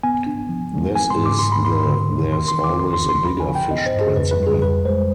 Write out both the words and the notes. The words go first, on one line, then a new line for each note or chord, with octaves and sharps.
This is the There’s-always-a-bigger-fish principle.
B3 G#5
D4
F3
G#3
C4 G#5
C6
G#2
D6
G#2 C6
B5
G#2 C6
D3
D4
D#3 C6
C6
D#3
D6
C2 C6
C6
C2
C6
F3 B5
G#5
F3
G5
B3 D#5
C5
G2
G#4
F2 B4
B4
G3
G#4
F2 B4
G#3 C5